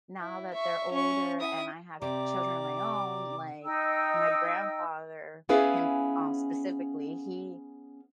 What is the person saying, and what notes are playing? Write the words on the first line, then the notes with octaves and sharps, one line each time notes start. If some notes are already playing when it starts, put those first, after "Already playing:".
now that they're older, and I have children of my own, like, my grandfather him, um, specifically he
E4
E5 C#6
C#4 C#6
E4 D#6
C3 G4 D5 A#5 D6
D#4 G5 E6
B3 C#4 E4 G#4 B4 F5